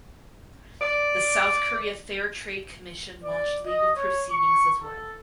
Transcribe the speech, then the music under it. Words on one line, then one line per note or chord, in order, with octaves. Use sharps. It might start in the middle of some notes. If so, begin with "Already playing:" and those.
The South Korea Fair Trade Commission launched legal proceedings as well.
D5
D5
D#5
C#5
C#6
A4